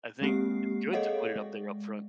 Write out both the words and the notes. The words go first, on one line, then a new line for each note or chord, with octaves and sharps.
I think it's good to put it up there upfront.
G#3 A#3 C4 G4 C7
G#4 A4 C#5 D#5 F5 F#5
G#3